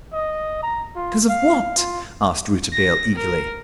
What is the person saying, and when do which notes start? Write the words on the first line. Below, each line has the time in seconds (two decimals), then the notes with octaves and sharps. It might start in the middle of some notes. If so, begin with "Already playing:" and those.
"Because of what?" asked Rouletabille eagerly.
0.13 D#5
0.63 A#5
0.96 F4
1.29 F5
1.77 F4
2.73 A#6
3.16 A#4